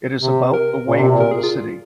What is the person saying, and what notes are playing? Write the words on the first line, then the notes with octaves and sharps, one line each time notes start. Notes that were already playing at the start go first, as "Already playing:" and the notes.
It is about away from the city.
C3
A#4
A#2
C3
A#2
A#4
G#4
F4